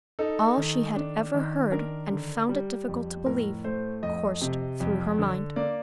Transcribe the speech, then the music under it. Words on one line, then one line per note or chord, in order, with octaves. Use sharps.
All she had ever heard and found it difficult to believe, coursed through her mind.
D#4 A4
D#3
D4
D#3
D4 A#4
D3
G3
F2
A2 A#4
A3 C5
F2 D#5
C3
F2
D3
A#3 D5